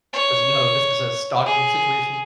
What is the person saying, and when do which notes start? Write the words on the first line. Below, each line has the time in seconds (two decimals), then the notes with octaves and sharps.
'Cause, no, this is a stalking situation.
0.13 C#5
1.46 G#4